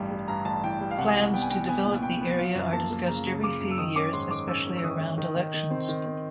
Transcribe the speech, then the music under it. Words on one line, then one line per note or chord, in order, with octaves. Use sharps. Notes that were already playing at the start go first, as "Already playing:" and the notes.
Plans to develop the area are discussed every few years, especially around elections.
Already playing: A1 G2 G3
G3
G2 A#5
A1 A5
E3 G5
G3
F5
C2 F#5
G3
B3 G5
G#5
B3 G5
B3 G#5
A#2
B3 G5
B3
F3 F5
F#2
A#3 A5
A#3
C#3 A#5
C#3
C#3 D6
F#2
E6
D#3 D#6
C#4 D6
G#2 C6
D#3 D6
C#4 E6
C#4
E6
D#3 D#6
D#3
D#3
D#3
D#3
C4
D#3
C4